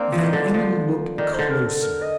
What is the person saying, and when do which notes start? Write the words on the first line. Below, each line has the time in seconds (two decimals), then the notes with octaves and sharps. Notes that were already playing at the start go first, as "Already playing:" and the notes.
Van Emmon looked closer.
Already playing: A#3 C4 D4 D5
0.12 F3
0.23 D#3
0.33 D3
0.54 F3
1.18 D#3 D5
1.34 D3 C5
1.50 A#4
1.66 A4
1.82 A#4
2.02 D#5